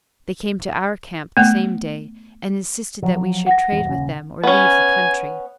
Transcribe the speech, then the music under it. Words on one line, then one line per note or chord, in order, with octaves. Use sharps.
They came to our camp the same day and insisted that we should trade with them or leave the country.
A3 B3
F3 F#3
F#5 A#6
D1 E2
D#1 C#3
B3 C#4 G#5